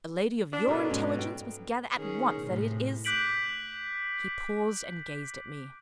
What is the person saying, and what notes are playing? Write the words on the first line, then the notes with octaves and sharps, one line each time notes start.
A lady of your intelligence must gather at once that it is----?' He paused and gazed at me.
D4
B2 A4 A#4
G#2 C#4
G5
D#3 C#4 G#4
A2 C3
D6 F#6 G6 B6 D7 F#7